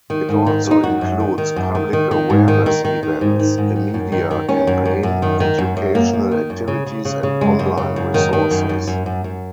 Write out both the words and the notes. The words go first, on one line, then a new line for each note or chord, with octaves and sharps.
It also includes public awareness events, a media campaign, educational activities and online resources.
D#3
G#2
D#3
D#3
D#4
F#2 F#4
F#2
D#3
D#3
F#2
D#3
D#3
D#3
G#2
D#3
D#3
D#3
D#3
G#2
D#3
G#2
D#3
F#2
D#3
D#3
D#3 C#4
F#2
F#2
F#2
D#3
D#3
F#2
F#2
F#2 A#3
F#2
D#3
F#2
C#3
C#3
C#3
C#3
F#2 G#3
F#2
C#3
F#2
D#3
D#3
F#2
F#2
F#2
F#2
F#2